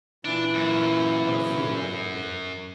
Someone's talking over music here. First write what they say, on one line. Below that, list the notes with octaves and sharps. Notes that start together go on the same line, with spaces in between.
What a fool I had been!
A#2 E3 D4 E4
F#2